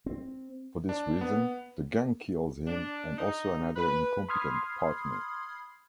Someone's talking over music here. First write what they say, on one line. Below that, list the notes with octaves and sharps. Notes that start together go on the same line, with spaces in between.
For this reason, the gang kills him and also another incompetent partner.
C4
D4
B3
D4
D#4
B4
B5 C6 D#6 F6 G#6 C7